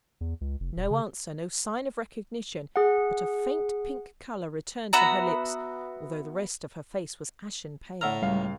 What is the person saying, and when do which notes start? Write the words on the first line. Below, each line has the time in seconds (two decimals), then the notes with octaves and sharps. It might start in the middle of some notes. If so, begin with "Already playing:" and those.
No answer; no sign of recognition; but a faint pink colour returned to her lips, although the rest of her face was ashen pale.
0.21 E2
0.41 C#2
0.60 F1
0.76 D#1
0.90 C#3
2.76 G#4 F#5
4.93 B3 F#4 E5 A#5
8.01 A2 F#5 A#5 E6 F6
8.22 C#2 G3 F5